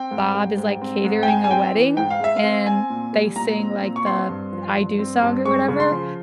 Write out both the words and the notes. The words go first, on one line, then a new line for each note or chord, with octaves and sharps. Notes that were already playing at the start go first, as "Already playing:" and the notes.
Bob is, like, catering a wedding, and they sing, like, the "I Do" song or whatever,
Already playing: C4 G5
G#2
G3
G#2
C4
G#2
G5
G#3 G#5
G#5
C4 G5
E3
G#2 G5
F5
G#3 E5
F5
C4
C4 G#5
A#2
G3
A#2 A#5
C4
A#2
C#6
C4 C6
G2
F3
G2
C4
G2
G#3 C#6
C#3
C6
F3